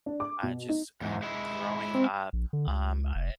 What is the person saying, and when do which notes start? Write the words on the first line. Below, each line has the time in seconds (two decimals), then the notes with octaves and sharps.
uh, just, uh, growing up, um, I eh
0.06 D4
0.20 D6
0.43 B2
0.69 D#4
1.01 E2 G#2
1.22 G#3 E4
1.95 C4
2.33 A#1
2.53 D3
2.67 C#2
3.15 F1